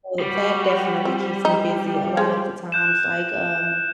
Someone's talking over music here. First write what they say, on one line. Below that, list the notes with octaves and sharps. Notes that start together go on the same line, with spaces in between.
Well, that definitely keeps me busy a lot of the times, like, um,
G3 F#4
C4
D#4 G5
G#3 C5 C#5 F5
F#6 G6 E7